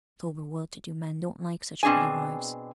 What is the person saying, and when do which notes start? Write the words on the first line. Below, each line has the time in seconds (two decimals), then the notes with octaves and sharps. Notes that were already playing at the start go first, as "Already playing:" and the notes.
Sober well-to-do men don't like such pretty wives.
1.83 B2 C4 D4 G#4 G#5